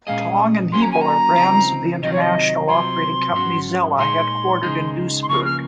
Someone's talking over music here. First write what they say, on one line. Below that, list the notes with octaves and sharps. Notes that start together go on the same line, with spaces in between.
Ytong and Hebel are brands of the international operating company Xella headquartered in Duisburg.
A#2 G#3 C#4 G#4 D#5 F5
F#3 A#3 C#4 C6
A#5
G#5
A#5
C#2 C#3 F3 C4 D#4
C3 D#3 F#3 C4 F4 D#5
C#5
D#5
C2 C3 F#3 C4 F4 C6
G#2 F#3 C#4 F#4
A#2 G#3 D#4 G#4 C#5 C6
C#2 C#3 G#3 D#4
C6
C#2 C#3 F3 A#3 C#6
F6